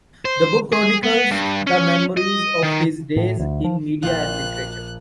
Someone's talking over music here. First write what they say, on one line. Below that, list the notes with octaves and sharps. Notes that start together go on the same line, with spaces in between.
The book chronicles the memories of his days in media and literature.
C5
G#4
B3
G2
C#4
D#5
D#3
A2
D2
F3
A#1 F4 C5 G5 F#6